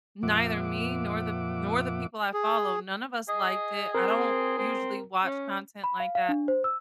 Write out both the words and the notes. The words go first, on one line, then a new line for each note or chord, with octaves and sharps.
neither me nor the nor the people I follow, none of us liked it, I don't, usually watch content like that,
F2 A#2 F3 E5 F#5 D6
G#4
G#4 D#5
C4 A#4
C4
C#4
B5
F5
F5
D4
C5
E6